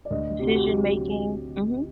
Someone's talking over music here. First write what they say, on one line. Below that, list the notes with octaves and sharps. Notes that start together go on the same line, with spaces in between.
Decision making, mhm.
D5
D2 D#5
C3 G4
F#4
G4
F#3 F#4